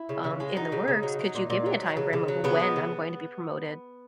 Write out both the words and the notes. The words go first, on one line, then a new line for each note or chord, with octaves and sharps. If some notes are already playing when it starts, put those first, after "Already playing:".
um, in the works. Could you give me a time frame of when I'm going to be promoted
Already playing: E4
C#3
C#3
G#3
F#3 D#4
C#3
C#3
F#3
F#3
A#2
A#2
F#3
F#3
C#3
C#3
F#3
C#3 B3
G#3
C#3